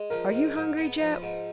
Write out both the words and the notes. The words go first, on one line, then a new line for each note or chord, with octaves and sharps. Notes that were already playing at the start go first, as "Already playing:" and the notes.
"Are you hungry, Jap?"
Already playing: G#3
F3 A#4
G#2
G#2
B3
F3
G#2